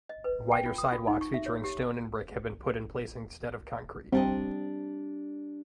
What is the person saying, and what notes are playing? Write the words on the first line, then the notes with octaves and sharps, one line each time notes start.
Wider sidewalks featuring stone and brick have been put in place instead of concrete.
D#5
B4
G5
F4
D#6
F4
D#4
C#6
E5
C#5
G4
G3 C4 D4 D#5